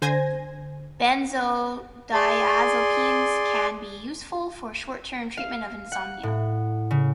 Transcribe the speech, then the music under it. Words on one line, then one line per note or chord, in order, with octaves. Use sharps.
Benzodiazepines can be useful for short-term treatment of insomnia.
D3 C5 G#5 G#6 A#6
G#4 D5 C6
F5
F#5
A2
C#3